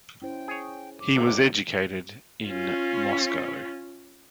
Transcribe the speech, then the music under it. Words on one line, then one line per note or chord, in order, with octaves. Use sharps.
He was educated in Moscow.
C#4 E4 C5 G5
G#4 C#5
D6
G#1 D2 C3
F3 C4 D#4
C#4 F4